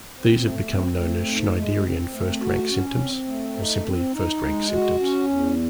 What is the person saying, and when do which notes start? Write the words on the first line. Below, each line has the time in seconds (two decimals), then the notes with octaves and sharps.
These have become known as Schneiderian First-Rank Symptoms or simply, first-rank symptoms.
0.12 C4
0.40 A3
0.70 C4
0.98 A3
1.27 G#2
1.55 G#3
1.84 C4
2.12 A3
2.42 F#4
2.69 C#4
2.98 C4
3.27 A3
3.56 D#4
3.85 C4
4.13 D#4
4.42 G#3
4.71 F#4
5.00 C#4
5.28 E2